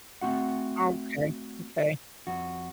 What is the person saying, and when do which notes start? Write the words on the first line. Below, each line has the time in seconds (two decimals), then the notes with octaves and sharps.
Okay, okay.
0.21 A3 C4 F#4 F#5
2.27 F2 F#4